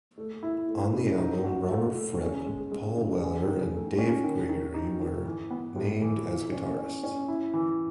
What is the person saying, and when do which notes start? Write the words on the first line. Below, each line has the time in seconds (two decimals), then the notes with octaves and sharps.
On the album, Robert Fripp, Paul Weller, and Dave Gregory were named as guitarists.
0.18 A3
0.43 E4
0.68 A3
0.93 C#3
1.18 D#4
1.44 F#4
1.70 A3
1.95 A3
2.20 C#4
2.46 G#3
2.72 G#3
2.97 C#3
3.22 G#4
3.48 D#3
3.73 A3
3.99 C#4
4.24 D#3
4.49 D#3
4.74 D#4
5.00 D#3
5.25 E3
5.51 B3
5.76 A2
6.02 E3
6.27 E3
6.52 C#4
6.78 C#4
7.03 C#4
7.28 E4
7.54 E3